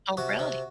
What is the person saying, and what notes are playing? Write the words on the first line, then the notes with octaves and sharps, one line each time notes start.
Oh, really?
C3 F#4
C3